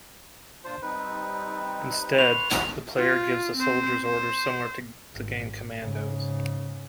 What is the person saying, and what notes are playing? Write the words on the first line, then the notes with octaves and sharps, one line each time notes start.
Instead the player gives the soldiers orders similar to the game "Commandos".
A#2 D4 F4 C5
G3 C4 D#4 B4
B4 C6 C#6 F7
F#4 B5 C6
F4
C4 C5
C5
G#1
G#2 C#3